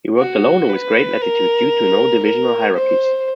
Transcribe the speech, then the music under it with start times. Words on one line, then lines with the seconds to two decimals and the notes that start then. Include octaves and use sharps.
He worked alone and with great latitude due to no divisional hierarchies.
0.19 F#4
0.69 B4
1.21 A#4
2.23 A#4
2.75 C5